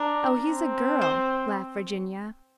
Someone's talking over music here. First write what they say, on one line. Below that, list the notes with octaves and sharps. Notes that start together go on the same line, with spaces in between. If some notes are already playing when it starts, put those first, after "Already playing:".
"Oh, he's a girl!" laughed Virginia.
Already playing: D4 A#4
C4
C5